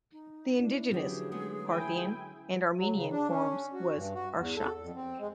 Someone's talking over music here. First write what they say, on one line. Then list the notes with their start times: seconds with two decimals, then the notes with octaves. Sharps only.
The indigenous Parthian and Armenian form was "Arshak".
0.12 D#4
0.59 D4 E4
0.91 D3 F3 F#3 B3 C#4 G4 G#4
1.32 G#3 A3 B3
1.67 E4 G5 G#5
2.77 F#3
2.94 C#3
3.11 D4
3.29 C#4
3.73 F#4
3.95 G2
4.15 F#4
4.37 E2
4.56 A4
4.81 F2
4.95 C4
5.19 G#3